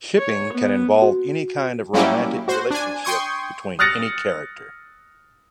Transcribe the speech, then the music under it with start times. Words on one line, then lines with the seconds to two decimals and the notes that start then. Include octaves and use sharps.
Shipping can involve any kind of romantic relationship between any character.
0.17 C#5
0.54 B3
1.02 F#4
1.93 F#3 G3 A#3 C#4 E4 G4
2.48 F#4 C5
2.71 D4 G#5
3.04 G5 C6 C#6 D#6 G#6
3.79 D#6 F6 F#6 A6 A#6 C#7